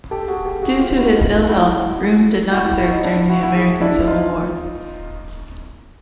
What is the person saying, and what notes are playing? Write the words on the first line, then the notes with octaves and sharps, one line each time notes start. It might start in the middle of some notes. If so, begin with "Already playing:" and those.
Due to his ill health, Groome did not serve during the American Civil War.
G4 A4
F#4 G#4
G4 A4
F#4 G#4
F4 G4
E4 F#4
D#4 F4
D#4 F4
E4 F#4
E4 F#4
E4 F#4
E4 F#4
D#4
D4 E4
E4 F#4
E4 F#4
F#4 G#4
D4 E4
D#4 F4